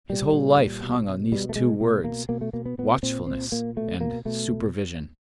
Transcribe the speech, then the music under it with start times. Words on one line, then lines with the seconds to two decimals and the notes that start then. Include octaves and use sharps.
His whole life hung on these two words: watchfulness and supervision.
0.09 A#2 G3
0.33 A#2
0.58 A#2
0.82 B2
1.07 B2
1.32 B2 G3
1.49 A3
1.56 B2 G#3
1.80 B2 A3
2.04 B2 A#3
2.29 B2 A#3
2.41 A3
2.53 B2 A#3
2.66 B3
2.78 A#2 B3
3.03 A#2 C4
3.27 A#2 C4
3.52 A#2 A#3
3.76 B2 A3
4.01 B2 A#3
4.25 B2 A3
4.49 B2